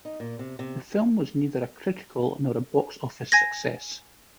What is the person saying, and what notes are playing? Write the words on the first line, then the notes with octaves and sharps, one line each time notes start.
The film was neither a critical nor a box office success.
D#4
A#2
C3
C3
G#5 G#6 A#6